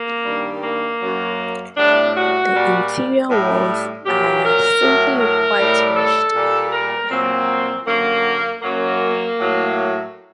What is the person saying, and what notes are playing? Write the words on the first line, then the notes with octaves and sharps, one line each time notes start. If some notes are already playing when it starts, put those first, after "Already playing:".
The interior walls are simply whitewashed.
Already playing: A#3
G2 D#3 G3
A#3
F#2 F#3
A2 G3 D4
F#4
A#2 G3
A2 G3
A#2 F#3 G4
A#4
A2 F#3
A#4
A2 G3
A4
A#2 G3
A#4
A#2 F#3 C4
F#2 D3 F#3 A#3
F#2 F#3 A#3
A2 F#3